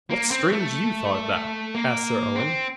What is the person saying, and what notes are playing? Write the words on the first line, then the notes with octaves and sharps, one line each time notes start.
'What strange youth art thou?' asked Sir Owen.
A#3
C4
A3
A#3
C4